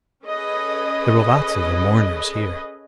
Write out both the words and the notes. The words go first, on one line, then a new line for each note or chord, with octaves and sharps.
There were lots of the mourners here.
C#4 G#4 A4 B4 D#5